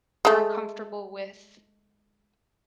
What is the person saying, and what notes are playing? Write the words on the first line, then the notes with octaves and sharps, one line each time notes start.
are comfortable with
G#3 A3